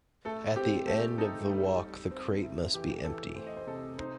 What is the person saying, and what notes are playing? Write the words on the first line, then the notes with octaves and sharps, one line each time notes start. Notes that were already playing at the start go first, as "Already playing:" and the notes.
At the end of the walk the crate must be empty.
A3 A4
C4 G4
A3 A4
D#4 A4
G3
G3
C4
E4
E3 G4
E3 A4
A3 C5
D#5
C5
C3 A4
D#4 C5